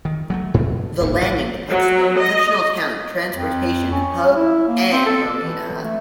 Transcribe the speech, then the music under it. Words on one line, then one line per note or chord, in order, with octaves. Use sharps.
The Landing depicts the fictional town's transportation hub and marina.
D#3
F#3 G#3 A3
G2 B2 E3 A3
D#1 G#1 D#2
A1 A2
F#3
D#5
F2
C#4
E4
A#3
C4
A4
E3
A3